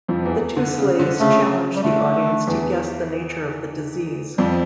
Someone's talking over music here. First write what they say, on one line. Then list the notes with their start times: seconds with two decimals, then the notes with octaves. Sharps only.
The two slaves challenge the audience to guess the nature of the disease.
0.08 F2 F3
0.25 E2 E3
0.57 D3
0.78 C#3
0.99 D3
1.20 C#3 A3
1.76 G3
1.83 D3 A3
2.47 E2 E3
4.38 F2 F3 G3